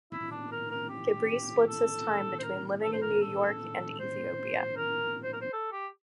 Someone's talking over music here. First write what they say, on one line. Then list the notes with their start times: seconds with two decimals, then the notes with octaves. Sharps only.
Gebre splits his time between living in New York and Ethiopia.
0.13 E4
0.31 D4
0.51 A#4
0.71 A#4
0.89 G4
1.67 A4
2.39 C5
2.44 A#4
2.83 A4
2.93 C5
3.02 A#4
3.21 A4
3.99 C5
4.76 A#4
5.24 C5
5.33 A#4
5.41 C5
5.53 A4
5.72 G4